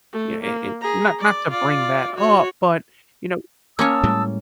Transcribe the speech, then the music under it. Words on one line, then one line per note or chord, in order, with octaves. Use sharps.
you a and not not to bring that up, but, you know
A3
A#3
G#4 A#5
D5
F4 D5
F#4 C#5
A#3 C#4 C#5 A5 D#6 E6
A2 G3 G#3